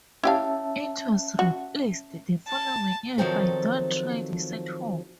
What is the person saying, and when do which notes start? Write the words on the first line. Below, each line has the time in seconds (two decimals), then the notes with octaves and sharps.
It was replaced the following year by Don't Try This at Home!
0.23 C#4 E4 G4 E5 F5 A5
1.39 F#4
2.47 A5
3.18 D#3 F3 F#3 C4 A4